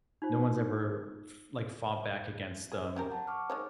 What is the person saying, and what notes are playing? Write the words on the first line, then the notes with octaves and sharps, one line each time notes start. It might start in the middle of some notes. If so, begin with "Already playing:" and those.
no one's ever f like, fought back against them,
D#4 F4 C5
G#4
C#4 G4 A#4
F#5 A5
C#6 D6 F6
D#3 G#3 C#5